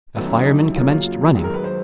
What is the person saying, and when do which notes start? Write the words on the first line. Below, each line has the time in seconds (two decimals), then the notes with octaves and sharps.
A fireman commenced running.
0.16 F#2 D#3 F#3 A3 B3
0.27 C#4
0.36 D#4
0.46 D#4
0.61 E4
0.76 F#2 C#3 F#3 A#3 F4
0.90 F4
1.35 F#2 D#3 G#3
1.44 A#4
1.54 B4
1.64 C5